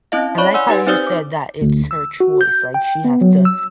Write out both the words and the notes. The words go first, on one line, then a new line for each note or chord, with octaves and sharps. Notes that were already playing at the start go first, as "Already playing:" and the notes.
I like how you said that it's her choice, like she have to
C4 C#4 E4 D#5 F5
C#5 D5 B5 C#6
D5 F#5 G#5 C6 E6
D#4 G4 B4
C4 D#4 C5 D5 D#6 G6
D6
D2
E6
F#4
G6
G5
B3
F#3
E6